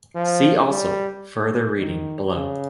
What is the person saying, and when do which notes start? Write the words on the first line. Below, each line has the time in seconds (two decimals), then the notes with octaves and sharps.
See also "Further Reading", below.
0.15 F3
0.70 G3
1.79 D#3
2.35 C#3